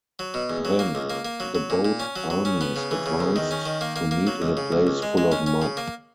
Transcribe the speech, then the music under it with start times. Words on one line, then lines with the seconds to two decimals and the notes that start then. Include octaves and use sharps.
Then, the both armies advanced to meet in a place full of mud.
0.19 F#3
0.34 B2
0.50 E2
0.65 F#3
0.79 A#3
0.95 C#2
1.10 A#3
1.25 A#3
1.40 F#3
1.55 F#3
1.70 A#2
1.85 A#2
2.00 C#4
2.16 F#3
2.30 F#3
2.45 C#4
2.61 B3
2.76 C#3
2.91 E3
3.06 C#3
3.20 E2
3.36 D#3
3.51 C#4
3.66 D#3
3.81 A#3
3.96 A#3
4.11 A#3
4.27 F#3
4.42 C#2
4.57 C#3
4.72 C#2
4.87 C#2
5.02 G#3
5.17 G#3
5.32 C#4
5.46 C#4
5.62 C#3
5.77 A#3